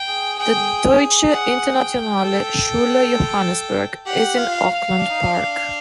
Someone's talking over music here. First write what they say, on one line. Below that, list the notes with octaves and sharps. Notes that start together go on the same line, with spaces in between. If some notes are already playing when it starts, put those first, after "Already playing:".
The "Deutsche Internationale Schule Johannesburg" is in Auckland Park.
Already playing: G5
G#4
G#4 G5
F#5
G5
A4
G4 F#5
F4
F5
D4
D#4
D4